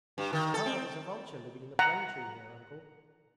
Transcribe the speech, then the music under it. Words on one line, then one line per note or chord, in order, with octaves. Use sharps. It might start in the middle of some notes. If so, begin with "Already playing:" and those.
'Ah, there's a vulture living in the plane tree here, Uncle.
G2
D#3
A4
C4
F#5 A#5